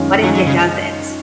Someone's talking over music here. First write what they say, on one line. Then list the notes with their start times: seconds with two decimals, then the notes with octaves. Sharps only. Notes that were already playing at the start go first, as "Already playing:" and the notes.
what if it doesn't?
Already playing: F#2 D#3 G#3 C#4 F4
0.22 F#2 D#3 F#3 G#3 C#4 F4
0.35 F#3
0.47 C#3